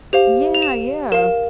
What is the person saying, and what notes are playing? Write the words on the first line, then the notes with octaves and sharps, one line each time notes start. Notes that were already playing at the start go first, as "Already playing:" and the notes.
Yeah, yeah.
G4 C5 F5 F7
F7
E7
A#4 F5 E7